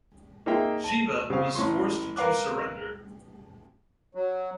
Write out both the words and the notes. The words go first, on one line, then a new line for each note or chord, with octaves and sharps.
Shiba was forced to surrender.
A#3 D#4 G#4 E5 G5 A#5
A5
C#3 C4 F5
A1 C#4 C6
A#4 B4 F5 D6 F#6
F#3